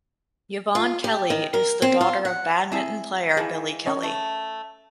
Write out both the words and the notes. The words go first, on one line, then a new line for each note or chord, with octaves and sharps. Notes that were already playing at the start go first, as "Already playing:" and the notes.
Yvonne Kelly is the daughter of badminton player Billy Kelly.
F4
G4
D#3
A#4
C4
F4
F#5
C4 E4 G#4 E5 A5
E3 G#3 A#3 G#4 A5
C#4 C#5 D#5
A3